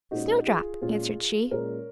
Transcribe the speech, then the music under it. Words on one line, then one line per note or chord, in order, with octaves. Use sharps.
"Snowdrop," answered she.
A#2 G#3 C#4 D#4 F#4
F4 G#4
A#2 G#3 C#4 F4 G#4
A#2 G#3 C#4 A#4 C#5